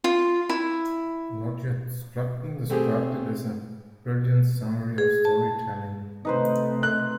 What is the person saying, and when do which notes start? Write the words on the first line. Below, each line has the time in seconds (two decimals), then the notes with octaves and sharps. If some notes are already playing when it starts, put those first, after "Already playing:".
Roger Scruton described it as a "brilliant summary of story-telling".
0.04 F4
0.49 E4
2.70 A3 C4 G4 G#4
4.98 G#4
5.25 A5
6.25 C3 A3 D#4 B4 C5
6.83 F#6